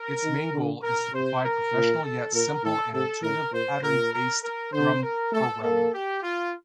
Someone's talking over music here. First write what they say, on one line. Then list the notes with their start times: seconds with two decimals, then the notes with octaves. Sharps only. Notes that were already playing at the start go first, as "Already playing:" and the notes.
Its main goal is to provide professional yet simple and intuitive pattern-based drum programming.
Already playing: A#4
0.24 D#3
0.54 D3
0.83 A#4
1.13 C3 C5
1.43 A#4
1.74 A#2
2.03 A4
2.34 A#2 A#4
2.63 A2 A4
2.93 C3 A4
3.23 A2 A#4
3.52 A#2 C5
3.83 A#2 A#4
4.13 A#4
4.43 A#4
4.73 D3 C5
5.03 A#4
5.33 A3 A4
5.62 A#3 A4
5.93 G4
6.23 F4